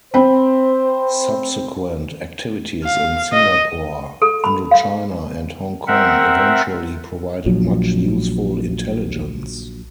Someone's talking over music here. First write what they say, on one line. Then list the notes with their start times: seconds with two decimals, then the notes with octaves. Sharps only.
Subsequent activities in Singapore, Indo-China and Hong Kong eventually provided much useful intelligence.
0.14 C4 C5 B5
2.84 F5
3.33 D#5
4.22 A4
4.44 B5
4.71 F5
5.87 C4 A#4 E5 F#5
7.46 A#1 F3 F#3